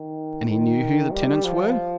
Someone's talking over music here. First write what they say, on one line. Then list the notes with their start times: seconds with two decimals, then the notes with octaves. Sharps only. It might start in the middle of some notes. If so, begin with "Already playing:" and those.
"And he knew who the tenants were?"
Already playing: D#3
0.47 D#3
1.12 G3
1.45 F3